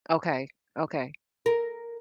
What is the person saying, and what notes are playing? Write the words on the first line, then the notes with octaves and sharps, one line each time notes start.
Okay. Okay.
A#4